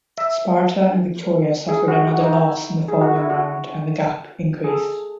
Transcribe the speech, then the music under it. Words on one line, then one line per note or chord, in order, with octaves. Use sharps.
Sparta and Viktoria suffered another loss in the following round and the gap increased.
E5
G#4
F#4
F#4
D#4
E4
G#4
F#4
E4
F#4
G#4
A4